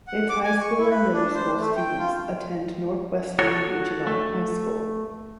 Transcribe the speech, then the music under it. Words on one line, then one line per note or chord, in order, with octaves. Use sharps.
Its high school and middle school students attend Northwestern Regional High School.
F#5
D6
G#5
C#6
E4
B4
D4
C5
A3
G5
F4
F#4 A4 C#5
A3